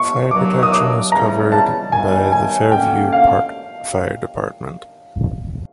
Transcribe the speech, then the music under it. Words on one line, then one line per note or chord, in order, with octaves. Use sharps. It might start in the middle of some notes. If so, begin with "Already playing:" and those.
Fire protection is covered by the Fairview Park Fire Department.
Already playing: C#6
G2 D#3 F#3 D6
D#6
D6
C#3 E3 G3 A#5
A5
F#2 D#3 G3 G#5
G#5
D3 F#3 A#3 C#4 G5
F5